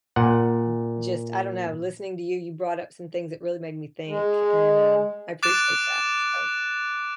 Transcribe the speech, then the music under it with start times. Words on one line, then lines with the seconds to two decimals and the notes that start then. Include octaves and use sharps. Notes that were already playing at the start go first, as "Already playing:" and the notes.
u just, I don't know, listening to you, you brought up some things that really made me think, and, uh, I appreciate that, so,
0.16 A#2 F#5
4.08 G#3
5.43 D6 F#6 A6 D7 E7